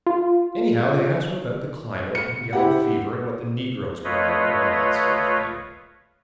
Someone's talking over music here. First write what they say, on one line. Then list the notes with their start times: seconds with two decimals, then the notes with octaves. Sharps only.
Anyhow, they asked him about the climate, and yellow fever and what the negroes were like and all that sort of thing.
0.07 F4
2.15 C#7
2.53 E4 G4 F#5
4.04 A3 F4 B4 C#5 D#5